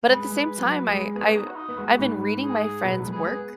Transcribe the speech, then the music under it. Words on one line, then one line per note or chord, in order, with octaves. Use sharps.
but at the same time, I I I've been reading my friends' work
G#3 B4
G#3
F#3
G#3
B3 G#4
C#4
D#4
F#4
D#4
B3
G#3 F#4
G#2 B4
G#4
B2 B4
F#3
G#3
G#4
B3